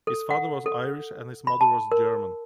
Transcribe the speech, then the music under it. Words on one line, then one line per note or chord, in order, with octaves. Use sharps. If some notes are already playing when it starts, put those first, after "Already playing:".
His father was Irish and his mother was German.
A4
F#5
A4
B5
A5
A#4